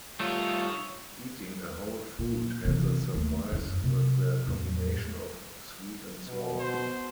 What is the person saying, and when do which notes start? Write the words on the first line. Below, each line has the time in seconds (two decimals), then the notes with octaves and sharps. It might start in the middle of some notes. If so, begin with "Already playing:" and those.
Eating a whole fruit has a surprise with the combination of sweet and sour.
0.20 D#3 G3 A3 F4 C#5
2.19 A#2
2.65 C3 E3
3.14 D#2 A3
3.52 F#2 E4
3.84 C3
4.47 E2 A2
6.26 B2
6.60 C5